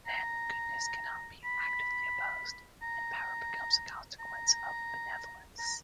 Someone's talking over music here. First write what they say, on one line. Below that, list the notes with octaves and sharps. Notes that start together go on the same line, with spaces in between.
Then, goodness cannot be actively opposed, and power becomes a consequence of benevolence.
A#5
B5
A#5
A#5
A#5